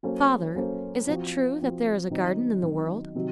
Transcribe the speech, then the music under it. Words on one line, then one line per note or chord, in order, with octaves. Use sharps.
"Father, is it true that there is a garden in the world?"
F#3 A#3 C#4 A4 C5
F#3 A#3 C#4 A4 C5
F3 C4 F#4
F3 C4 F#4
D#3 F#3 C4 D#4 F#4
D#3 F#3 C4 D#4 F#4
C3 D#3 F#3